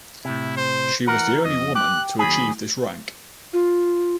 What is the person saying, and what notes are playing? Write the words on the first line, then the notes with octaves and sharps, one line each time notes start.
She was the only woman to achieve this rank.
A2 C3 E4
C5
E3 A#4 F#5
F2 D#5
G4 F#6
D#2 F#3 G#4 B5
F4